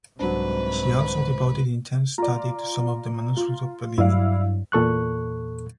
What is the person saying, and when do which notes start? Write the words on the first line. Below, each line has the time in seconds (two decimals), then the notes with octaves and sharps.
She also devoted intense study to some of the manuscripts of Bellini.
0.19 C2 G#2 F#3 C4 D4 B4 C5
2.18 F4 D5 A#5
3.37 F4
3.98 G2 F#3 E4 D5 F5
4.72 E2 A#2 A4 C#6 F#6